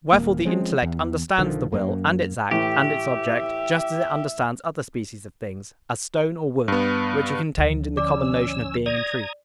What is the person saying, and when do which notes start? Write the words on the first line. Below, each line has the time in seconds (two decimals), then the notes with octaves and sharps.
Wherefore the intellect understands the will, and its act, and its object, just as it understands other species of things, as stone or wood, which are contained in the common notion of being and truth.
0.13 D#1 F#2 A#3
0.45 F3 G#3 C4 C#4
0.82 E2
1.38 B1 D3 D#3 F3
1.72 F#2 A#3
2.51 A2 E3 G4 E5
6.68 G2 B3
7.57 D2 F3
7.97 C#4 D5 D6 E6
8.86 D5 A#5 D#6 G#6